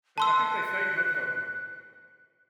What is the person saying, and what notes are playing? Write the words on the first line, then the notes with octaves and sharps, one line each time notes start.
But I think they saved most of 'em.
A5 C6 E6 F#6